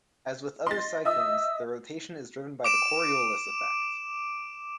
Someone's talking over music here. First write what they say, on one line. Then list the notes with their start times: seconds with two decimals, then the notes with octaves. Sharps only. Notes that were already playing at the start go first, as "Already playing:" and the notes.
As with other cyclones, their rotation is driven by the Coriolis effect.
0.67 D#5 C6 A6
1.05 D#5 E5 D#6 E6
2.64 D6 D7 E7